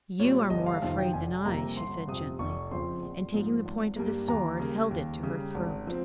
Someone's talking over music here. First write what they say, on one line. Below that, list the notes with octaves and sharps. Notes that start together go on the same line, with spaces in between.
'You are more afraid than I,' she said gently, and taking the point of the sword held it to her throat.
A#2 G3 C#5
G1 D#5
F5
F2 C3 D#3 F5
G5
F1 G#5
F2 C3 G3 A#3 A#5
G1 C6
F2 C3 D#6
F1 C#6
F2 C#3 F3 C4 C6
A#1
G#2 F3 G#3
G#1
G2 G3 A#3
D#2 A#5
C#3 G3 A#3
D#2
C#3 G3
G#1
F3 C4